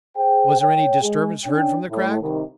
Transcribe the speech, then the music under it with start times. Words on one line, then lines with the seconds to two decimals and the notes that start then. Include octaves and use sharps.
"Was there any disturbance heard from the crack?"
0.17 G#4 C5 G5
0.61 C#5 G5
1.02 G#3 G#4
1.46 C#4 D4 C#5 G5
1.91 A2
2.22 C2 D#3